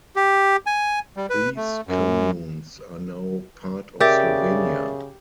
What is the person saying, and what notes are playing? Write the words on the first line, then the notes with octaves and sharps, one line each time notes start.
These communes are now part of Slovenia.
G4
G#5
G3
B4
A3
F#2
C#3 G4 A#4 D5 E5 D6 A6